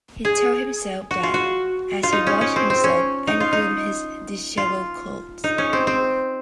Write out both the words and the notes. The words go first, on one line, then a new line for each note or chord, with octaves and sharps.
He told himself that as he washed himself and groomed his disheveled clothes.
G#4
F#4
F4
F#4
F4
D#4
C#4
C#4
C4
C4
C#4
D#4
F4
D#4
F4
D#4
C#4
C4
C4